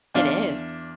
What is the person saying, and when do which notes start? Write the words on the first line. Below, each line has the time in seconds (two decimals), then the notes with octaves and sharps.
It is.
0.14 E2 D4 F5